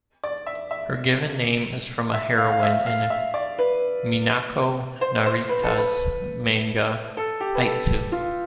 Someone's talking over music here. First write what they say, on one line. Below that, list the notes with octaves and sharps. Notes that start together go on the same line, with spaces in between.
Her given name is from a heroine in Minako Narita's manga "Aitsu".
D5
E5
E5
E5
F5
F5
E5
F5
E5
D5
B4
C5
C5
B4
A4
B4
A4
G4
B4
A4
F4